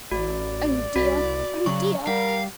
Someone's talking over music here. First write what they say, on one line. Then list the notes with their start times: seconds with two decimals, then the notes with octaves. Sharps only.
Oh dear, oh dear!
0.11 A1 F#4 D5
0.96 C2 F#4 B6
1.66 C#3 F#3 C#6
2.07 G3 A#4 F5 F#5